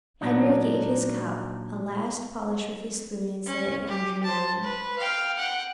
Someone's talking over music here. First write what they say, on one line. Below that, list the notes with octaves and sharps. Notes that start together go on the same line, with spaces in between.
Henry gave his cup a last polish with his spoon and set it down dreamily.
A#2 F#3 D4 D#4
C#4
G4
C5 A5
B4
F5 G5
F#5 G5